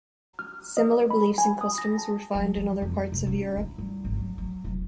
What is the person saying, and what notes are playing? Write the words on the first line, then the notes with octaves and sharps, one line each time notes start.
Similar beliefs and customs were found in other parts of Europe.
F6
D#5
B5
G#5
D#6
A#6
A5
F#3
F3
F2
C3
C#4
E4
G3
G#1
F#3
F#3
E1